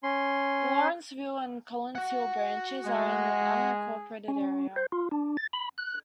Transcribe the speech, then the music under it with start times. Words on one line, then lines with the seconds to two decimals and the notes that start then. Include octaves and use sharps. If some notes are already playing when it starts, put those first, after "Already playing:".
The Lawrenceville and Collins Hill branches are in an unincorporated area.
0.03 C#4 C6
1.95 F#4 F#5
2.85 G#3 G#4
4.28 C#4
4.76 C5
4.92 F4
5.11 D4
5.37 A6
5.53 B5
5.78 F#6